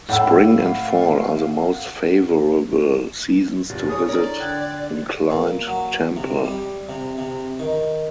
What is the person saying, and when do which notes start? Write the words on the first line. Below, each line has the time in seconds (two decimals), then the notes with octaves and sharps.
Spring and fall are the most favorable seasons to visit Inclined Temple.
0.09 A2 A3 F5 F#5 B5 E6
3.70 F1 A6
3.89 E4 F4 G#4 C#5 D#6
4.07 D4 A4 A#4 C#5 D5
4.40 D3 G5 F#6 G#6
5.31 A#2
5.67 F#3
6.17 C3
6.44 G3
6.89 C3
7.18 C3
7.59 D#3